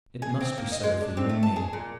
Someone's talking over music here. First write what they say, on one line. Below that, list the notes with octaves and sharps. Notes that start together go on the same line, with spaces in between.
It must be so for you and me.
G#4
C4
A#3
D#5
G#3
D4
C4
A3
A5
G#4
A#2